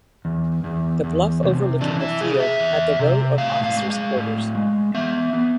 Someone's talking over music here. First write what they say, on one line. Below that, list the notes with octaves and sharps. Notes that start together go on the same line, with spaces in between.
The bluff overlooking the field had the row of officer's quarters.
E2
E2
E2
C3
E3 D4
E4
C3 G#4
E5
E2
C3
A2 F5
F5
G#3
F5
A2
G#3
B3 E5
B3